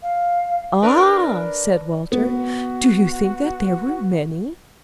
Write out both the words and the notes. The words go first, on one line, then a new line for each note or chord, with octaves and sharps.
'Ah!' said Walter, 'do you think that there were many?'
F5
D4 A#4 B4
B3 F#4